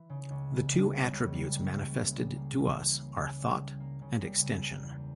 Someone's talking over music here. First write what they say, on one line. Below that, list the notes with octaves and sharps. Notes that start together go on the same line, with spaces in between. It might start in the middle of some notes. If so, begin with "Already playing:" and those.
The two attributes manifested to us are thought and extension.
Already playing: E3
C#3
C#2
E3
G3
C#3
C#2
G3
A#3
E3
C#3
G3
A#3
E3
C#3
A#3
C#3
G3
C#3
A#3
C#3
G3
C#3
A#3
E2